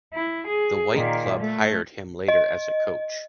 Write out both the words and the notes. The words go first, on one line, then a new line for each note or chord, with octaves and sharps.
The white club hired him later as a coach.
E4
G#4
A#2 D#3
A3
D#5